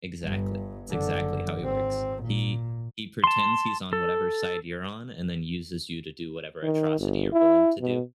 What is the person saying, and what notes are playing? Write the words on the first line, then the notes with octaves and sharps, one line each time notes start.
Exactly, it's exactly how he works, he he pretends he's on whatever side you're on and then uses you to do whatever atrocity you're willing to do
G1 G2
F#1 D3
G#1 C4
A#2
A5 C6
A4
D#3
G1
E4
B2